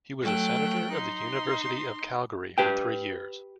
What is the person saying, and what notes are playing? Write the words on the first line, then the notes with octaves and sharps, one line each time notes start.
He was a Senator of the University of Calgary for three years.
F#3 A3 G5 F#6
D#4 C6
G4 B4 G5